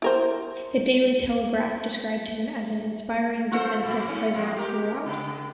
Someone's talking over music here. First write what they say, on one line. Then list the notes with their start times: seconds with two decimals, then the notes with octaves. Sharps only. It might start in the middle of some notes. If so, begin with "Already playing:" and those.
The "Daily Telegraph" described him as "an inspiring defensive presence throughout".
0.02 E4 A#4 C5
3.52 F4 A4 C5
3.85 A#2
4.08 G#2 C#4
4.34 F2 A2 G#3
4.56 G4 A#4
5.06 C#3